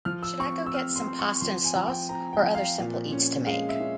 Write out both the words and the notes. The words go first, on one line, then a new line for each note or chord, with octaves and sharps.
Should I go get some pasta and sauce, or other simple eats to make?
F3 F6
E6
C4 C#6
E6
C4 F6
C6
C4
C#6
F3 C6
G#5
F3
G5
C4 A#5
G5
F3
F5
A#2
C#4
G#3 F5
E5
C#4